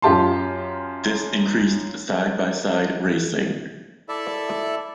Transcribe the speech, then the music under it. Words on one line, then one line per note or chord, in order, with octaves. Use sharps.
This increased side-by-side racing.
F#2 F4 G4 A5 C6
E4 A4 D5 E5